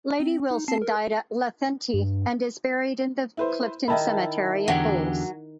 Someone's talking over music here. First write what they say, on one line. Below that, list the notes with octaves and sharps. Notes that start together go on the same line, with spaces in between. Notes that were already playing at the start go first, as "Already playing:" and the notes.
Lady Wilson died at Lethenty and is buried in the Clifton Cemetery at Bulls.
C4
D#4
C4 A5 C7
A#4
G2
E4 B4 C5
D#3 E4 E5 A5 B5
E2 D3 F#3 G4